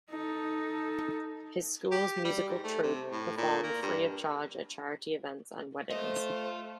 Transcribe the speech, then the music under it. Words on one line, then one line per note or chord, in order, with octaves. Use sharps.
His school's musical troupe performed free of charge at charity events and weddings.
D#4 A4
G4
G3
G#2
A3
C3
A2
A#2
A#3
G2
A3 F4 C5 D#5